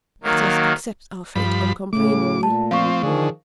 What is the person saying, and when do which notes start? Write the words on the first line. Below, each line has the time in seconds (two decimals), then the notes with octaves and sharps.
Let us accept our fate uncomplainingly.
0.23 D#3 F#3 A#3
1.36 G2 F3 B5
1.93 A2 C#3 A3 D6
2.43 A#2 A5
2.71 F3 C4 F5 C#6
3.03 D3 D#3 F3 G#4